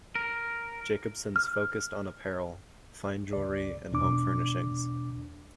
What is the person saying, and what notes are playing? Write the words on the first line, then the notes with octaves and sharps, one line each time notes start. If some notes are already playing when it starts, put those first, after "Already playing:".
Jacobson's focused on apparel, fine jewelry and home furnishings.
A#4
F6
C#2 D5
E2 B2 D4 D6